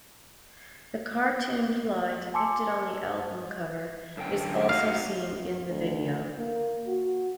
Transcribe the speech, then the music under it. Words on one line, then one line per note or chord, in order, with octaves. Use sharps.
The cartoon fly depicted on the album cover is also seen in the video.
G#5 A5 C6 D6 E6 C#7
F#2 D3 G5
D#4 E4 F#4 F5
D2
A#3
F#4